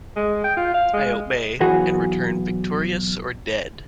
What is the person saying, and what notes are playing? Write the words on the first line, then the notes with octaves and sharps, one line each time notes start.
I obey, and return victorious or dead!
G#3
G5
F4
F5
G#3
B1 E3 F#4 G#4